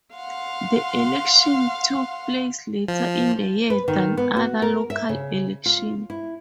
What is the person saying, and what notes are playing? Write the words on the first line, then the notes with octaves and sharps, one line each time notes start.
The elections took place later in the year than other local elections.
F5 F#5 C6
F3
B4
D#3
B3
F#4
A#4
E5
C#3
F4
E4